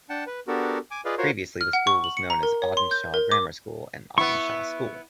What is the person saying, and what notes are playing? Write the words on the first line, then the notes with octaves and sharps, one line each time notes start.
Previously the school was known as Audenshaw Grammar School and Audenshaw School.
D4 F#5 G5 A5
B4
B3 D4 F#4 G4 A4 A#4
G#5 D6
F4 G#4 B4 D5 D#5 F5
F4 F#4 A#4 C5 C#5
F6
F#5
C#6
F#7
C#7
A#5
A#4
C#5
C6
G6
A#4
D6
B3 E4 C#6